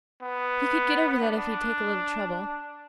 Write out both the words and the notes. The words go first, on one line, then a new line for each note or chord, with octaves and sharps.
He could get over that if he'd take a little trouble.
B3
D4